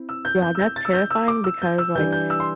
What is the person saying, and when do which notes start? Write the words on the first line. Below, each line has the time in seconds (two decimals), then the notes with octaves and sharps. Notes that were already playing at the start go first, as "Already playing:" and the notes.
Yeah, that's terrifying because, like,
Already playing: C4 E4
0.09 E6
0.25 G6
0.42 G6
0.55 E6
0.59 G6
0.76 A6
0.85 E6
0.93 G6
1.10 E6
1.28 D6
1.44 E6
1.62 G6
1.78 E6
1.95 E3 G3 D4 G6
2.12 G6
2.30 E6
2.40 C6